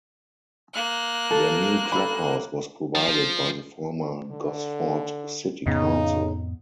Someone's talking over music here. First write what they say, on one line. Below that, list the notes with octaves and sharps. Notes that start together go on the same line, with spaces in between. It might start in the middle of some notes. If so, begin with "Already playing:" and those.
Their new club house was provided by the former Gosford City Council.
A#3 F#6
A4
A4 B5
F3
D3
F2 A2 C#3 B3 D#4